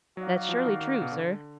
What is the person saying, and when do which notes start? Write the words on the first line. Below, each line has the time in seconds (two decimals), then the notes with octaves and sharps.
"That's surely true, sir."
0.17 F#3 D#4 F#4 D5 F5
0.49 F3
0.65 D#3
0.81 D#3
1.02 B2
1.12 D3